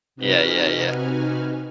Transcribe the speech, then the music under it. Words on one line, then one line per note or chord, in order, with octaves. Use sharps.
Yeah, yeah, yeah.
C3 D#4 F#4 B4 G#5 F6